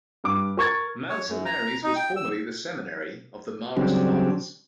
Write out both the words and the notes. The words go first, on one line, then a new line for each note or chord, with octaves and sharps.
Mount Saint Mary's was formerly the seminary of the Marist Fathers.
G2 D6
A#4 C#6 G#6 A6
C#5
F#2
A#5
D#4
G5
E6
C#3 F#3 G3 C4 D4